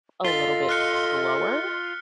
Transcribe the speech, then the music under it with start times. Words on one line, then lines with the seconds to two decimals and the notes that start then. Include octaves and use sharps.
a little bit slower.
0.25 F4 A4 D#5 C6 A6 B6 G7
0.69 F6 F#6 C#7